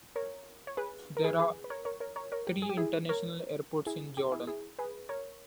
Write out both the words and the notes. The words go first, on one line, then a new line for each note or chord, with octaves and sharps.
There are three international airports in Jordan.
A#4 C#5
C#5
G#4 B4
A#4
G#4 B4
G#4 B4
B4
A#4 C#5
A#4 C#5
A#4 C#5
A#4 C#5
A#4 C#5
G4
G#4
G4
E4 G#4
A#4 C#5
E4 G#4
G4
E4 G#4
E4 G#4
G#4 B4
A#4 C#5